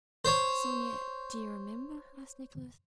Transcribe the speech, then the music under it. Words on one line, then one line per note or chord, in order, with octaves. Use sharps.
"Sonya, do you remember?" asked Nicholas.
C5 C#5